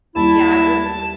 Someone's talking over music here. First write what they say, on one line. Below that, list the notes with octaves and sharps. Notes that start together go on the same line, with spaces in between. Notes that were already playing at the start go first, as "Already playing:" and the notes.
Yeah, it was
D#2 G3 E4 A5